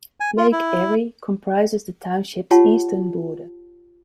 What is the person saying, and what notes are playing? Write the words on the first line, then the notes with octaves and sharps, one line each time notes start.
Lake Erie comprises the township's eastern border.
G#5
F4
E4
F4 G4 C#5 F#5 A5